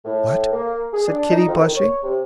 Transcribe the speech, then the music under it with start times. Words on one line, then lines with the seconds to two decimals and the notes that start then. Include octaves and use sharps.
"What!" said Kitty, blushing.
0.05 A2
0.52 A#3
0.94 G#4
1.08 D4
1.30 D#4
1.48 F2
1.60 D#3
1.75 C#5
2.03 C3